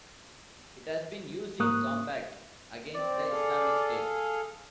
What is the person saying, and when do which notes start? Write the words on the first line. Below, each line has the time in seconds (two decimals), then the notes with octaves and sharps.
It has been used in combat against the Islamic State.
1.60 G#2 A#3 C#6 D#6 F#6
2.95 C4 D5
3.30 G#4 A4 F5